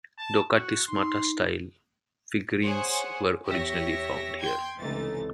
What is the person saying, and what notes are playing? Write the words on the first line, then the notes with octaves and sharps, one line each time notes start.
'Dokathismata style' figurines were originally found here.
A5
F#4
D#4 C6
G#4 C5 C#5 F#5 G#5
E2 G4 C#5 E5 A#6
G5 C6 G6 G#6
C#2 C3 E3 A3 D#4 A6